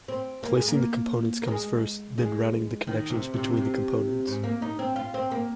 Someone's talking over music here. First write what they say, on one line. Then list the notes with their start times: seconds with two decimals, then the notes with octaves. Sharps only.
Placing the components comes first, then routing the connections between the components.
0.08 C4
0.43 A#3
0.56 G#3
0.68 A#3
1.42 A#3
1.48 G#3
2.18 G#3
2.87 D#3
3.10 C3
3.34 C3
3.57 C3
4.27 G#2
4.44 A#3
4.62 D#4
4.79 C4
4.96 F4
5.14 C4
5.32 A#3